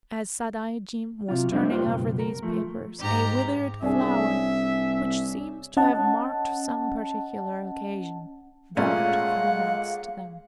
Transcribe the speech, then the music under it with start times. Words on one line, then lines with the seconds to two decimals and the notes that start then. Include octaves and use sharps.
As Sadaijin was turning over these papers a withered flower, which seems to have marked some particular occasion, dropped from amongst them.
1.29 C3 F#3 F4
1.51 F2 G3 A3 C4 D4 D#4
1.71 A#3 F4 G4 B4 C5
1.84 C#2 F#2 B2
2.19 A#4
2.43 F3 A3
2.99 G#2 G4 A#5
3.82 C2 C#4 D4 G#4 E5
5.77 C#4 D#5 F#5 A5
8.77 A#2 G#3 A3 C#4 F5 F#5